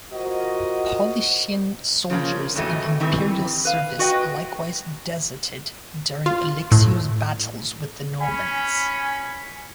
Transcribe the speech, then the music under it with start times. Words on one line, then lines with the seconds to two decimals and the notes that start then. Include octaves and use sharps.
Paulician soldiers in imperial service likewise deserted during Alexios' battles with the Normans.
0.13 F4 F#4 A#4 C5 D#5
2.10 C#3 F3 A#3 C#4
2.55 F2 A2 E3 F#3 A3 D#5
3.00 D#3 E3 G3 C4
3.65 B4 F5
3.99 F#4 B4 D#5 G5
6.26 F4
6.72 A2
8.20 C#4 G#5 B5